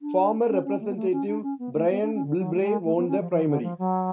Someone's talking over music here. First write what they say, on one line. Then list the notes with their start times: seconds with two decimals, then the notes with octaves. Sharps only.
Former Representative Brian Bilbray won the primary.
0.01 D4
0.48 C#4
0.64 C#4
0.80 A3
0.88 B3
0.96 A3
1.11 C#4
1.27 D4
1.43 C#4
1.58 B3
1.74 A3
1.90 B3
2.02 D4
2.14 C#4
2.25 D3
2.37 F#3
2.53 A3
2.60 G#3
2.84 A3
2.96 B3
3.08 C#4
3.19 F3
3.31 F3
3.47 D3
3.63 F3
3.78 F#3